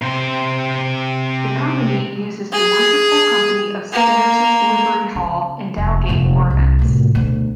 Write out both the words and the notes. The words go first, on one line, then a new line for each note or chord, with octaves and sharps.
The Company uses the Worshipful Company of Skinners' livery hall in Dowgate for events.
C3 C5
G#4
A#3
C#3
F1
F1 A#2
C2
A2 C3
D2 B2